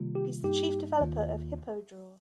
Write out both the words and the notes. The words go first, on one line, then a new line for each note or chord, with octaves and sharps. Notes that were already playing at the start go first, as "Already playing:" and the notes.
He is the chief developer of HippoDraw.
Already playing: C3 D#3 G3 A#3 F4
G4
G2 G3 A#3 D#4 G4
D#2 D#3 A#3 F4